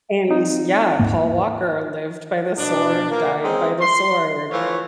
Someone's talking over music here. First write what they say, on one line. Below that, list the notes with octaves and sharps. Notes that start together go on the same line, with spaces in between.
and yeah, Paul Walker lived by the sword, died by the sword.
C4 D#4 F4
D#1 G#2 A#3
B2 D4
A#3
G#3 C4 C#4 D#4
C6
E3 F3 A3 F4 C#5